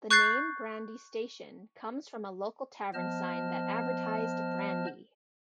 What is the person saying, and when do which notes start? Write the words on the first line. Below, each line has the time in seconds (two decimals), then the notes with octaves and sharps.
The name Brandy Station comes from a local tavern sign that advertised brandy.
0.10 C#6 F#6 G6 A6 C7
2.94 F3 B3 C5 D#5 A5 F6